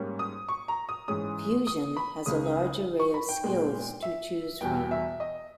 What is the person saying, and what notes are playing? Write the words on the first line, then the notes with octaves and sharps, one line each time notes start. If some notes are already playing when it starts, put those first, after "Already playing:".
"Fuzion" has a large array of Skills to choose from.
Already playing: G#2 G3 A#3 C#4
D#6
C#6
A#5
D#6
G#2 E3 G#3 C#4 D#6
D#6
B5
C#2 C#3 G#3 C#4 D#6
C#6
B5
G5
A#2 G#3 B3
E5
E2 B2 G3 B3 G5
E5
D#5